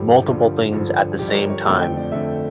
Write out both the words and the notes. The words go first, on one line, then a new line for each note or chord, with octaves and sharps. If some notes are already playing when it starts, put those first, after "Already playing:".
multiple things at the same time,
Already playing: G2 D3 F3 G4
G4
G2 D3 F3 F4
G2 D3 F3
G2 D3 F3 G4
C#5
A#4
C#5
F2 D3 F3 A3 G5
G5
D5
F2 D3 F3 A3 E5